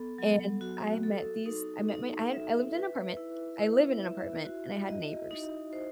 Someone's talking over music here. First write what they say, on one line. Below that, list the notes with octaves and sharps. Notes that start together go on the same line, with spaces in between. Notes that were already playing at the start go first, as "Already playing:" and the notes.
and I met these I met my I had I lived in an apartment I live in an apartment and I had neighbors,
Already playing: B3 A4
F#3
F#4
A4
D#4
D#4
E5
B4
E4
E4
E5
F#4
D#5
D#4
C5